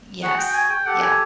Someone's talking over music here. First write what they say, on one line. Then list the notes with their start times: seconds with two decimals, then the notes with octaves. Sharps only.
Yes. Yeah.
0.23 F#4 G#4 F#5
0.39 G5
0.55 G#5
0.71 G5
0.86 G4 A4 F#5
1.02 G#5